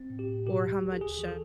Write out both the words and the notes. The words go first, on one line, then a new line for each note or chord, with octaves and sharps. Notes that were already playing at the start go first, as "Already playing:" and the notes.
or how much,
Already playing: C4
A2
G4
A2
B2 G4
C#2
C#2
A4
D#2 G#4
E3
A4